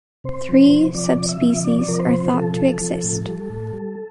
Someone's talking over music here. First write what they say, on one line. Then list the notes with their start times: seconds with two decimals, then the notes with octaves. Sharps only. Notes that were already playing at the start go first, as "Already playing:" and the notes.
Three subspecies are thought to exist.
0.24 C3 C5
0.48 F3
0.71 C3
0.95 F3 D5
1.18 C3
1.29 E5
1.41 F3
1.64 C3 D5
1.88 F3 A#4
1.99 C5
2.10 C3
2.33 F3 A4
2.58 C3
2.81 F3
3.04 A2
3.27 G3
3.50 A2
3.73 G3